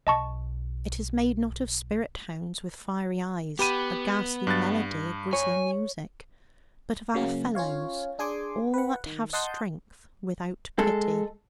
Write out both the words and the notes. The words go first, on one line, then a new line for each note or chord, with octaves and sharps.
It is made not of spirit hounds with fiery eyes--a ghastly 'Melody,' a grisly 'Music'--, but of our fellows, all that have strength without pity.
B1 D#5 A5 C#6
B3 G4 B5 D#7
G2 F#6 A6
C#5 G#5
C#3 F#3 A#3 C#4
C#4 F4 C#5 F5
D4 G#4 G#5 C6 D6
B4 F#5
D#3
D#5 F#5 A5 C6 D#6 G6
G#3 A4